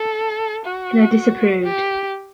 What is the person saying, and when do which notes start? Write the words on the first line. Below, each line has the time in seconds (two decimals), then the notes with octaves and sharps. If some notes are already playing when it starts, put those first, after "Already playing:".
And I disapproved.
Already playing: A4
0.66 F#4
1.63 G4